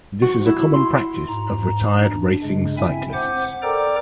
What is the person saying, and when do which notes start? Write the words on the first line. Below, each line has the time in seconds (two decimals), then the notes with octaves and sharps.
This is a common practice of retired racing cyclists.
0.22 F#4
0.46 E4
0.73 C6
1.28 G#2 A#5
1.94 D4
2.43 G2 C#3 G#3
2.78 C4 E4 E5 G#5
3.13 C5 F#5 D6 G6
3.62 A4 A#4 D5 G5 A#5 D6